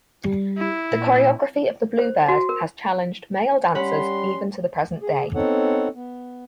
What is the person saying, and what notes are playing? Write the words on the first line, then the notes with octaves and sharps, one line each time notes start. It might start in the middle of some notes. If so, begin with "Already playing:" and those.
The choreography of the Bluebird has challenged male dancers even to the present day.
G3
E4
A#2
C5
F#4
A#4
G3 C#4 F#5 B5 C6
G#4
B3 C4 D#4 A4 C#5 F#5
B3